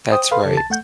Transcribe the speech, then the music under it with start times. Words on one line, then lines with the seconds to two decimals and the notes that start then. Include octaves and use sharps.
That's right.
0.11 C5 G5 D#6
0.31 A4 B4 F5 B5 C6
0.45 C#3 G4 A4
0.57 C2 A5 A6
0.70 A3 F#5 G6